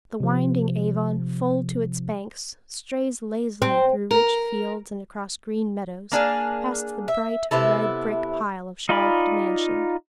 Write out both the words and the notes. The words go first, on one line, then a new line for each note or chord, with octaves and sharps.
The winding Avon, full to its banks, strays lazily through rich fields and across green meadows, past the bright red-brick pile of Charlcote Mansion.
C3 F3
C4
A#4
A#3 D4 G#4 F5
E5
C3 B3 E4 A4
D#4 F4 D5 G#5 B5